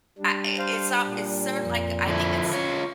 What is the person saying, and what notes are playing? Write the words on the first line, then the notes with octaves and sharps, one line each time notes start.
I i it's so it's sorta like, I think it's
G3 D4
C5 F5
A#2
F2
D3 F3 E4
C#4 F4 C#5